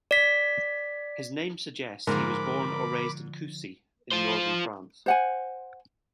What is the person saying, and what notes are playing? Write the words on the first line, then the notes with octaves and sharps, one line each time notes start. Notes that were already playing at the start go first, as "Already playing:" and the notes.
His name suggests he was born or raised in Coucy in Northern France.
D5 B6
G#2 D3 F3 F4 A#4 B5 D6
F4 C5
C5 F#5 G#5